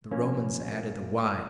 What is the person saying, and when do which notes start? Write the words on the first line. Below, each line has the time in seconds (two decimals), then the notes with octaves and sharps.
The Romans added the y.
0.11 F3 A#3 C#4
0.42 A#2
0.72 A#2